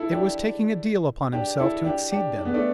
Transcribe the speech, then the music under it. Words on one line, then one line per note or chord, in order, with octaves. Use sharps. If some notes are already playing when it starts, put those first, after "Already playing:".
It was taking a deal upon himself to exceed them.
Already playing: E4 A4
D4 G4
D4 G4
E4 A4
D4 G4
D4 G4
D4
B3
A3 D4